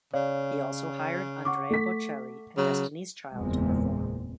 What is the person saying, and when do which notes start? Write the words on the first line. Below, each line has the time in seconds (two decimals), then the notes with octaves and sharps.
He also hired Andrea Bocelli and Destiny's Child to perform.
0.14 C#3 C#5 D5 F5
1.45 F#5 C#6 D6
1.70 A3 B6
2.57 C#3 F#3
3.35 F#1 E2 A#2 G#3 C4